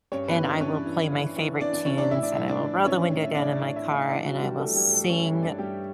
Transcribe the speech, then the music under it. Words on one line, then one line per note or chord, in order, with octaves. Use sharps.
and I will play my favorite tunes, and I will roll the window down in my car, and I will sing
G2 C#4 C#5
B3 B4
E3
D4 D5
E3 C#4 C#5
E3
E3
E3
E3 D4 D5
D4 D5
E3 C#4 C#5
D4 D5
A2 E4 E5
D4 D5
A2 E4 E5
D4 D5
E3
E3 C#4 C#5
A2
E5
A2 D4 D5
A2 D4 D5
E4 E5
A2
E4 E5
E3 D4 D5
F#3 F#4
E3
G3 G4
E3 A3 A4
G3 G4
G2
A3 A4
E3 C#4 C#5
E4 E5
G2
D4 D5
G2 G3 G4